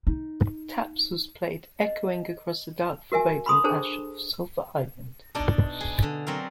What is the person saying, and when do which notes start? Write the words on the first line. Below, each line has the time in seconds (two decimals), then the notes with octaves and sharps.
Taps was played echoing across the dark foreboding ash of "Sulfur Island".
0.07 D#4
1.81 D#5
3.12 F#4 A#4 E5 G#5
3.46 B5 C6 D#6
3.64 D4 G#4 A4 C5 A5
5.35 B2 D4 D#4 D5
5.80 G#4
6.03 D3
6.27 F#3 C4 A#4 D5 F5